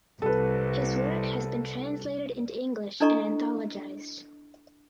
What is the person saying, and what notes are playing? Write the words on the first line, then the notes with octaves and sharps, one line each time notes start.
His work has been translated into English and anthologized.
C2 A4 B4
D4 E4 A4 D#5 A#5 C#6